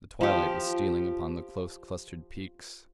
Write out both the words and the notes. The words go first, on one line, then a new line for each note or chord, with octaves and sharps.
The twilight was stealing upon the close-clustered peaks.
F3 G4